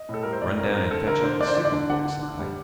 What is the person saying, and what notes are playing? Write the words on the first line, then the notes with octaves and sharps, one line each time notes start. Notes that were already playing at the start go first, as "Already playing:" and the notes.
"Run down and fetch up the signal-book," said I.
Already playing: D#5
A2 A4
G3 A#4
C5
A2 D5
C4 A#4
C4 A#4
D3 A4
D3 A#4
D4 C5
D4 D5
C5
D3 D5
D5
D4
D3 F#5
D3
D4
G3